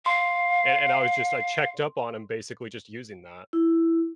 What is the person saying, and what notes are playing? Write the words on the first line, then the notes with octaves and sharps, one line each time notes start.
and and I was just I checked up on him basically just using that
F5 C6
E4